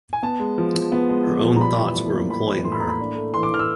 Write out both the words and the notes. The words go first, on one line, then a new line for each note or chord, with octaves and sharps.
Her own thoughts were employing her.
G#5
B3 A5
G#3
F3
F3
B3
G#3
F3
F3
A#5
G3 B5
E3
A2
A#3
G3 B5
E3
A2 C6
B5
A#3 A#5
B5
D4
A3
E3 C6
D6
E3 F6
E6